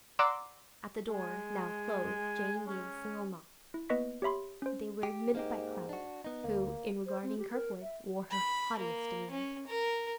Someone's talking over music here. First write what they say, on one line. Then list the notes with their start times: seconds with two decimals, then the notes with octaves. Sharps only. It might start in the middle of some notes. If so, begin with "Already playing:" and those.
At the door, now closed, Jane gave a single knock; they were admitted by Clem, who, in regarding Kirkwood, wore her haughtiest demeanour.
0.19 D5 F#5 A#5 C6 D6 E6
1.09 G#3 G#5
2.66 C#4
3.74 E4
3.89 A#3 B3 B4 D#5 C#6 B6
4.22 G4 C#5 E5 B5 C6
4.62 C#4 C5
5.03 G4
5.35 G#2 A#3 D#4 G4
5.89 D4 F#4
6.24 B3 D#4
6.44 D2 A#3
7.06 C5
7.23 C4
7.38 G4
7.51 A#4
7.82 E5
8.31 B5
8.79 A#3
9.31 C#4
9.67 A#4